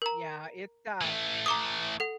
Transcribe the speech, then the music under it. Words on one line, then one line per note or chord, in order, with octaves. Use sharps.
Yeah, it's, uh
A#4 A#5
E3 A3
A#5 D6 D#6
A4 F#5